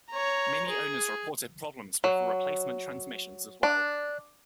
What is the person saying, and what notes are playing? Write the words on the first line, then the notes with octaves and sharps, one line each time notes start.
Many owners reported problems with the replacement transmissions as well.
C#5 A#5
G#4
F#3
D4